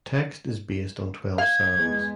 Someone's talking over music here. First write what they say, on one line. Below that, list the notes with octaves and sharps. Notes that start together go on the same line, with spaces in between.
Text is based on twelve psalms.
F5 G#6
E2 G#3 B3